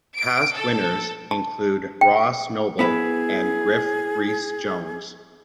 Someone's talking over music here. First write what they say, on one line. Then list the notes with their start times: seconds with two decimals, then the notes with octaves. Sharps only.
Past winners include Ross Noble and Griff Rhys Jones.
0.16 D7
0.54 A4
1.31 A5
2.01 G5
2.79 B3 E4 G#4 B4